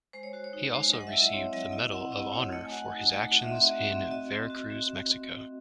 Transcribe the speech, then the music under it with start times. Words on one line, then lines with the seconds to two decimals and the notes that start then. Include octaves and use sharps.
He also received the Medal of Honor for his actions in Veracruz, Mexico.
0.13 G#3 C5
0.23 C#5
0.33 F#4 C5
0.44 C#5
0.53 D#4
0.74 G#3
0.93 F#3 D#5
1.01 F#5
1.07 E5
1.13 E4
1.20 D#5
1.32 C4 C#5
1.53 F#3 D#5
1.72 E4 D#5
1.92 C4 F#5
2.12 E4 D#5
2.32 C4 C#5
2.52 A3 D#5
2.65 G#5
2.71 F#4 F#5
2.92 D#4
3.12 A3
3.31 F#4 F#5
3.40 E5
3.48 C4 D#5
3.57 E5
3.71 F#4
3.91 C4
4.11 F#4 D#5
4.31 C4
4.50 F#4
4.70 C4